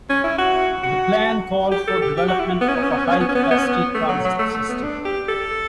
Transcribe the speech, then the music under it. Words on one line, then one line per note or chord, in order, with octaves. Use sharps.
The plan called for development of a high-capacity transit system.
C#4
E4
F#4
F#4
G4
A4
G4
G4
F#4
E4
B3
C#4
B3
C#4
B3
C#4
B3
C#4
B3
C#4
B3
C#4
B3
C#4
B3
A3
F#3
F#3
A3
A3
B3
D4
G4
A4